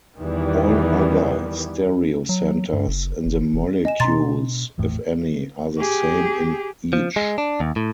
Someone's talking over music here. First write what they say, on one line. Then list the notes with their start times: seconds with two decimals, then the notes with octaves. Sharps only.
All other stereocenters in the molecules, if any, are the same in each.
0.18 E2 D#3 E3 G3 B3
2.29 F#3
2.74 G2
2.88 F#1
3.26 F#1
3.53 E1
3.85 D#5 G#5 E7
4.00 B2 D4 A#5 C6 A6
4.78 G#1 E2 A2
5.79 G4 G#4
6.93 F3
7.16 G#3
7.38 D4
7.60 D#2
7.76 A2